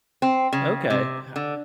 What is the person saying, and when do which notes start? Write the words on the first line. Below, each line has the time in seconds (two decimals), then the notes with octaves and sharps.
Okay, ho
0.22 C4
0.53 C#3
0.90 C3
1.36 D3